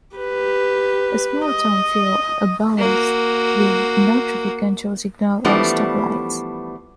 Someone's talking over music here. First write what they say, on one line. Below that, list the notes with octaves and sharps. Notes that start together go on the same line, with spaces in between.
A small-town feel abounds with no traffic control signals or stop lights.
G4 B4
D#5
A#3 F#4
E3 F3 G3 A3 B3 D4